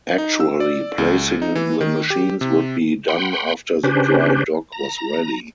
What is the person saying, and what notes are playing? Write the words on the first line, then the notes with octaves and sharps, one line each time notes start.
Actually placing the machines would be done after the dry dock was ready.
D#4
E6
D5
C#2
D#4
E3
D#3
G4
C3
F#5 G5 B5 C6
C#3 C#4 D4 G4 B4 C5
A#5